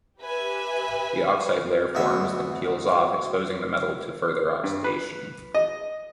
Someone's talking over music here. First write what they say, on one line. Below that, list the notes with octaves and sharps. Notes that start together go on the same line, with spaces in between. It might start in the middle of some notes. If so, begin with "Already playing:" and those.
The oxide layer forms then peels off, exposing the metal to further oxidation.
G4 B4 E5 G#5
D2 B2 E5
G2
B4
D#5